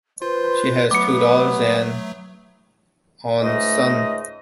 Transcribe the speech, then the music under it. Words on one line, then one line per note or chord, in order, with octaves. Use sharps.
She has two daughters and on son.
F4 B4 C5
F#3 A3 B3 D6 C#7
C#2 G#2 A3 D#5